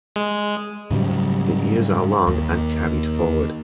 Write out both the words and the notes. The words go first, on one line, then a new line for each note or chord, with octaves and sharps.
The ears are long and carried forward.
G#3
G#2 C#3 F#3 G3
D#2